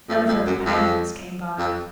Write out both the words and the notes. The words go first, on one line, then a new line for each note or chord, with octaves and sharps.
None of her companions came by.
F2
F2
F#2
F2
F2